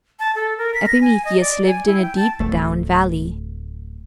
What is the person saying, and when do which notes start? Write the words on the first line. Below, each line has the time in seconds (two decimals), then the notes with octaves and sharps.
Epimetheus lived in a deep-down valley.
0.19 A5
0.35 A4
0.58 A#4
0.74 B6
0.86 A#6
1.01 G#5
1.25 D#5
1.41 D5
1.67 G#5
1.87 E4
2.02 G5
2.16 A5
2.40 D1 A3